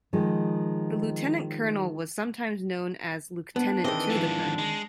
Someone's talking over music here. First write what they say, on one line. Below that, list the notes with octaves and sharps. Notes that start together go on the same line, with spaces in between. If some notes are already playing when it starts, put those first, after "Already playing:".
The lieutenant colonel was sometimes known as lieutenant to the colonel.
D#3 F3 G#3
B3 D4
D#3 E3 C4 G#4 D#5
G#2 F3
G#3